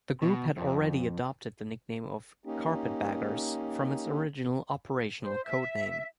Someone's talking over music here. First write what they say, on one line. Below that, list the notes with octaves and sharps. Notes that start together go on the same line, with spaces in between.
The Group had already adopted the nickname of "Carpetbaggers" from its original operational codename.
B2
F2
A#3 C#4 D#4 G4
C5
E5